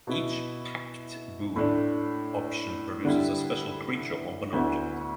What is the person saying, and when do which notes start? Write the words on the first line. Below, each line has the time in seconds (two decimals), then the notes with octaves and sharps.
Each Pact Boon option produces a special creature or an object.
0.07 B2 B3 E4
1.56 A2 A3 D4
3.05 D3 G3 E4
4.53 D2 D3 B3 E4